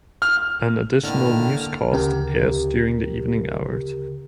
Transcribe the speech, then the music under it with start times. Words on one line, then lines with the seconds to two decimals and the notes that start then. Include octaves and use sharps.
An additional newscast airs during the evening hours.
0.22 F6
1.04 A2 D3 D#3 A#3 F6
1.92 D2 C#3 G4 A#4